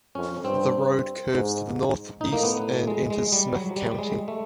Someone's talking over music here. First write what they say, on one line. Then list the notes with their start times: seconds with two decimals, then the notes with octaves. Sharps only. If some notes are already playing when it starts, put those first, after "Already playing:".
The road curves to the northeast and enters Smith County.
0.15 F2 C#4
0.44 G2 C4
1.33 G#2
2.21 A2 D#4
2.32 A#3
2.43 B3
2.87 G#3
3.10 G#3
3.32 G3
3.55 F#3
3.76 G3
3.91 G3
3.99 G#3
4.28 A3